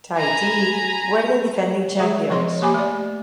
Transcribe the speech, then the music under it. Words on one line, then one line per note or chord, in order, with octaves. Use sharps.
Tahiti were the defending champions.
G#5 A#5 B5
G#3 G#4 E5
F3 C#5 D#5 C6
A#3 G4 G#5 B5 D6
A3 D5